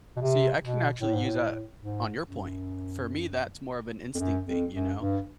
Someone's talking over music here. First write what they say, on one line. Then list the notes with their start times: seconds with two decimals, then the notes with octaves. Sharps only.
See, I can actually use that on your point. For me, that's more of an instinct thing, you know?
0.17 B2
0.21 C3
0.62 B2
1.01 A2
1.13 G#2
1.25 A2
1.80 G#2
2.21 F#2
4.15 F2
4.19 F#2
4.46 F2
4.73 F#2
4.99 G2